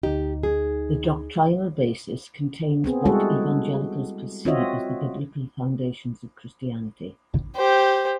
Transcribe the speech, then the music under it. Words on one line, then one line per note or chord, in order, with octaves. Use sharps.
The doctrinal basis contains what evangelicals perceive as the biblical foundations of Christianity.
D2 D#4 G4
G#4
B3 C4 G#4
G3 G#3 E4 F#4 G#4 A4
C4 F4 F#4 C#5 D#5 E5
G4 C5